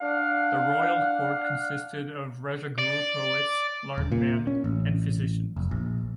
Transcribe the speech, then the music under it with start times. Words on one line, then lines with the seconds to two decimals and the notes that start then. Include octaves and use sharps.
The royal court consisted of a "Rajaguru", poets, learned men and physicians.
0.01 D4 F5 F#5
2.78 D5
3.98 D#1
4.12 A#2
4.47 C#4
4.64 A1
5.56 F1
5.71 A#1